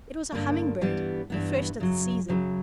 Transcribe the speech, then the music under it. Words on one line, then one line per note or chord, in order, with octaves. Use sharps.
It was a humming-bird,--the first of the season.
G2 D3 A#3
G2 E3 G3 B3
G2 E3 G3 B3
F#2 C#3 F#3
F#2 C#3 F#3